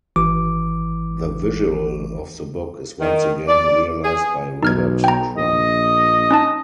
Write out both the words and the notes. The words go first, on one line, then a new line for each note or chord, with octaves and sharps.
The visual of the book is once again realized by Robert Crumb.
G#1 E3 D6
D#3
D5
G#4
B1 D#4 F6 G#6
G5 A#5
A#1 D#5
C#4 D#4 A5